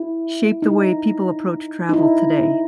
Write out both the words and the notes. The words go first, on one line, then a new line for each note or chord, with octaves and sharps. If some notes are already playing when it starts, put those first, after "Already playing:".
shape the way people approach travel today?
Already playing: E4
D#4
D#4
E4